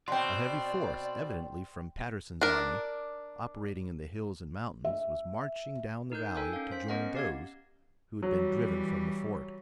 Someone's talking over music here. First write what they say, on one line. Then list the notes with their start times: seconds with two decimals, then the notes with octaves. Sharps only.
A heavy force, evidently from Patterson's army operating in the hills and mountains, was marching down the valley to join those who had been driven from the fort.
0.08 B2 C4 D5 G5 C6
2.41 D4 A#4
4.84 E5
6.12 D#4 A#4 F#6 G6
6.35 A4 A#4 G5 G#5
6.53 C#4 F5
6.71 C5 B6
6.88 B3 C#4 A#4 D#5 F#5
7.15 G4 F5 G#6
8.23 E3 F#3 G3